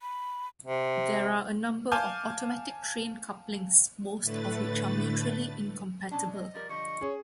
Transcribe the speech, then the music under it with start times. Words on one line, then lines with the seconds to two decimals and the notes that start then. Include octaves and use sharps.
There are a number of automatic train couplings, most of which are mutually incompatible.
0.01 B5
0.65 C3
1.92 F5 G#5 A5 D6 F6 G6
4.22 A2 D3 A3 B4 A6
6.11 B2 C#4 D4 A5
6.33 D#5
6.54 F3 G3 A#4 D5
6.69 D3 F3 G3 D#5 C#6
7.01 C#4 G#4 C#5